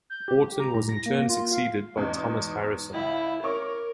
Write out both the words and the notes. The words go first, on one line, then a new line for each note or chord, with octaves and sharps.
Wharton was in turn succeeded by Thomas Harrison.
G6
G4
G4
A#5
A2
A#6
A#3
F4
F5
E2 G#2 B2
C#2 E4
A#4 C#5 C#6 D6